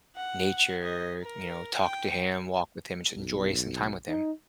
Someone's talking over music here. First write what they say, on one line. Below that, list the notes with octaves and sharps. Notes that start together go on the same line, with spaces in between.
nature, you know, talk to him, walk with him, and should enjoy some time with him.
F#5
D#5
A#4
G5
B1
D#4